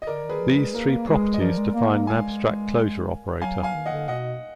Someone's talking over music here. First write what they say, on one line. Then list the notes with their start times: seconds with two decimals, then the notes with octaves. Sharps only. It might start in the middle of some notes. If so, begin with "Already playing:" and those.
These three properties define an abstract closure operator.
0.02 D#5
0.07 D3 A#4 D5
0.24 D#3
0.29 G#4 B4
0.40 F3
0.51 G#4 B4
0.57 G#3
0.74 A#3 A#4
1.07 G#3 G#4 B4
1.34 D#5
1.40 F3 A#4 D5
1.58 G#3
1.74 A#3
1.91 A#3
2.07 G#3 F5 G#5
3.41 F#3 F5 G#5
3.58 F#3
3.63 F5 G#5
3.75 D#3
3.86 D#5 F#5
3.92 D3
4.08 B2 D#5 F#5